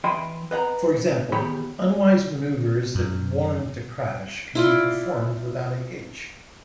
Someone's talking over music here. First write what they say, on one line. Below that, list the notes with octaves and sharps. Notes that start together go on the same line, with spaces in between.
For example, unwise maneuvres that warrant a crash can be performed without a hitch.
E3 D#5 E5 G5 B5 C6
B4 D#5 F#5 A#5
E2 B2 D#3 G4 C#5 B5
F#2
E4 F4 D5